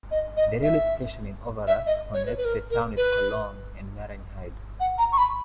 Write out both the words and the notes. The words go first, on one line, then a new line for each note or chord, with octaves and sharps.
The railway station in Overath connects the Town with Cologne and Marienheide.
D#5
D#5
E5
E5
D#5
C#5
B4
B4
A#4
A#4
B4
F#5
A#5
C#6
B5